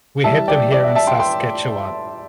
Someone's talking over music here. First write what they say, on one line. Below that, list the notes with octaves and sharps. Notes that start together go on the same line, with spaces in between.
We had them here in Saskatchewan.
E3 G3 E4 E5 A5
D5 G5
D5
E5
E5 A5
G5 C6
G5 C6